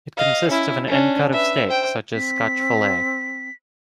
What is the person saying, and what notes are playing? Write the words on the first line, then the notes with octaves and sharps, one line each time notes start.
It consists of an end cut of steak, such as scotch fillet.
D#5 F5
C#4 E4
C#4 D4
B4 E5
C5 G5
C4 B6